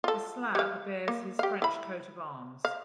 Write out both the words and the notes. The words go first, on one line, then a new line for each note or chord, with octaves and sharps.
The slab bears his French coat of arms.
F4 A4
G3 F5
A#3
G4 F5
E4 B5
F5